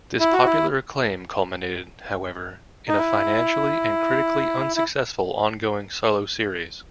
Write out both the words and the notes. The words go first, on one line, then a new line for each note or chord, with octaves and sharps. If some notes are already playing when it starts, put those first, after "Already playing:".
This popular acclaim culminated, however, in a financially and critically unsuccessful ongoing solo series.
E4
F#4
E4
D#4
E4
E4